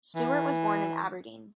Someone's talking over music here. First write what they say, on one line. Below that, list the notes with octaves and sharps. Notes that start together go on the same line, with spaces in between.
Stewart was born in Aberdeen.
E3